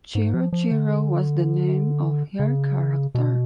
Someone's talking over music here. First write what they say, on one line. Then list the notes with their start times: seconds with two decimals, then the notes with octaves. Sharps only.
Chiruchiru was the name of her character.
0.15 G#2
0.34 F3
0.52 F3
0.71 D3
2.39 C#3
3.15 B2